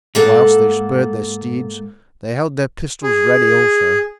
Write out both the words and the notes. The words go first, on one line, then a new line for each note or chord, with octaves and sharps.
Whilst they spurred their steeds they held their pistols ready also.
G#2 A#3 A4 F#5
G#4